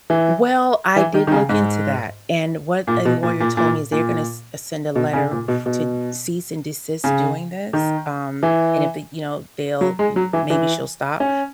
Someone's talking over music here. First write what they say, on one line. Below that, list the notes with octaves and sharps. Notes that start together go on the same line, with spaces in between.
Well, I did look into that, and what a lawyer told me is they're gonna s send a letter f to cease and desist doing this. Um, and if they, you know, they'll y maybe she'll stop.
E3
E3
D#3
D#3
C#3
G#2
A#2
B2
A#2
A#2
A#2
A#2
B2
C#3
A#2
B2
B2
C#3
D#3
E3
F#3
G#3
F#3
E3
E3
C#4